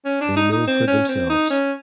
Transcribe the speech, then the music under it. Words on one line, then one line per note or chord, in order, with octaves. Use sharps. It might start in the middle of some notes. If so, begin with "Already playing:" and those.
They know for themselves.
C#4
D4
D#4
D#4
C4
C#4
C4
D#4
C#4